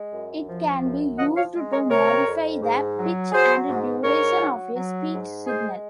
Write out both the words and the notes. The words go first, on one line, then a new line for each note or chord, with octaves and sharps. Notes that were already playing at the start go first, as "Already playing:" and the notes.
It can be used to modify the pitch and duration of a speech signal.
Already playing: G#3
F#2
F3
F#2
F3 D#5 F#5
C#5 F5
G#3
A#4 C#5
C3 A#4 C#5
F2
G#2
F#3
F#3 G#4 C5
G#2
G#2 A#4 C#5
F#3
F#3
G#2
G#3 G#4 C5